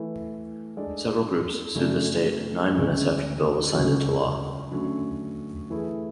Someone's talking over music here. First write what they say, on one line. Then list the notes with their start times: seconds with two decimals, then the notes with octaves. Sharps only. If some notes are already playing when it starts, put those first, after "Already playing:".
Several groups sued the state nine minutes after the bill was signed into law.
Already playing: E3 A3 E4
0.77 G#3 D4 A4 D5
1.75 F#2 C#3 F#3 A3 D4
2.74 D2 C#3 G#3 C#4
3.73 C#2 C#3 F#3 C#4 F#4
4.71 D3 F#3 A3 C#4
5.70 E3 A3 E4 G#4